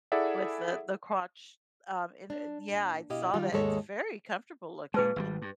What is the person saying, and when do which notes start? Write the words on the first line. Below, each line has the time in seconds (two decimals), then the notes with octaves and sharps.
with the the crotch, um, and and yeah. I saw that, it's very comfortable looking!
0.12 E4 G#4 A4 D5 E5 F#5
2.30 D4
2.71 A#2
3.10 B2 E4 G4 D#5 F5
3.34 D#3 G3 F4 G4
3.53 D#2 G#2 G#3 A3 A4 C#5
4.94 A#2 G#3 G#4 B4 A5
5.16 G#1 C3 G3
5.42 G2